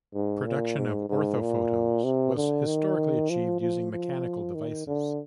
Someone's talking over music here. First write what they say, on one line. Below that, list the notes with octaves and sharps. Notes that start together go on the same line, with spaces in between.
Production of orthophotos was historically achieved using mechanical devices.
G#2
A#2
G#2
G#2
A#2
C3
D3
D#3
F3
F3
F3
D#3
D3